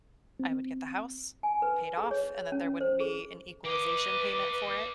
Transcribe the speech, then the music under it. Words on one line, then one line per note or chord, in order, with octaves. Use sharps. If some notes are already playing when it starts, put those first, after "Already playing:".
I would get the house, paid off, and that there wouldn't be an equalization payment for it.
C4
G#5
B4
G#4
C#5
C#4
C5
G#4
A#3 B4 D#5 D6